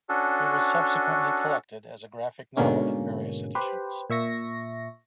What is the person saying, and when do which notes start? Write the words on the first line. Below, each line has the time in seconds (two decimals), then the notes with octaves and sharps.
It was subsequently collected as a graphic novel in various editions.
0.09 C#4 D4 F#4 A4
2.57 G#2 B2 D3 G#3 A#3 C#4
3.55 G4 B4 C5
4.10 A#2 E5 C#6 A#6